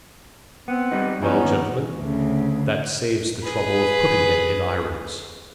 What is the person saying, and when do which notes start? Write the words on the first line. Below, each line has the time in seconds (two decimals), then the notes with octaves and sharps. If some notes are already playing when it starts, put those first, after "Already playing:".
"Well, gentlemen, that saves the trouble of putting him in irons."
0.68 B3 C4 F#5
0.92 G3 D#4
1.22 F3 B3 C#4 D#4 E4
1.44 D#2
1.97 D2 C#3
3.42 G#4 B4